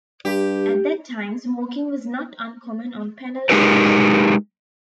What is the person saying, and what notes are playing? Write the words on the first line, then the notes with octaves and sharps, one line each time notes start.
At that time smoking was not uncommon on panel shows.
G2 G4
G#3 D#4 G4 G#4 A#4 B4